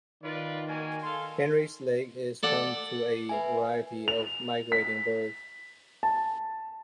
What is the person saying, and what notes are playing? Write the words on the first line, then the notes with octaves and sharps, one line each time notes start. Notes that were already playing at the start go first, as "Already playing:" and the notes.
Henrys Lake is home to a variety of migrating birds.
D#3 F4 B4 D5
A#3 F#4 G#5
A4 F5 C6
A4 D5 F#5
B4 E5 G#5
F7
B6
A5